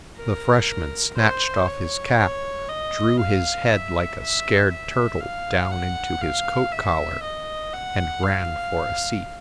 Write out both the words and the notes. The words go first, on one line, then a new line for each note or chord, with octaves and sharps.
The freshman snatched off his cap, drew his head like a scared turtle down into his coat collar, and ran for a seat.
A#4
C5
C#5
C#5
D#5
F5
E5
E5
E5
F5
F#5
F5
E5
D#5
F#5
F5